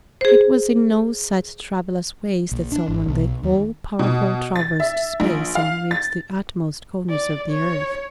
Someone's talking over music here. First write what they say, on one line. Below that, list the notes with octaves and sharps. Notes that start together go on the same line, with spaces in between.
It was in no such troublous ways that Solomon the all-powerful traversed space and reached the uttermost corners of the earth.
G#4 C5
A#1
D4
G#1
B1
D#2
B2
A6
E5
A#1
F5
A6
D5
C#5